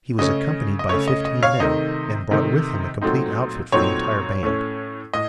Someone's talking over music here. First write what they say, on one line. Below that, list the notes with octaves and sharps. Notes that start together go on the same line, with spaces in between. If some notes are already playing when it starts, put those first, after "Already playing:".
He was accompanied by fifteen men, and brought with him a complete outfit for the entire band.
C#3 A3 C#4 D#5
D#5
C#3 A3 C#4 C#5
D#5
D#5
C#5 F5
C3 D#3 A3 D#4 D#5
C3 D#3 A3 D#4
A#2 F#3 A3 C4 D#4
A#2 F#3 A3 C4 D#4 C#5
A2 A3 C#4
A2 D#5